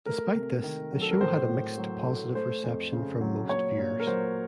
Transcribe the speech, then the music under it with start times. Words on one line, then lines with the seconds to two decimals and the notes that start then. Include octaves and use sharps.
Despite this, the show had a mixed to positive reception from most viewers.
0.06 A3 A#4
0.34 C3
0.64 D#3
0.92 F#3
1.02 A4
1.11 A#4
1.21 A2 C5
1.49 A2
1.78 F#3
2.07 A3
2.35 A3 C5
2.64 F2
2.93 C#3
3.21 F#3
3.49 A#2 C#5
3.78 A#2
4.00 A#4
4.07 F#3 C5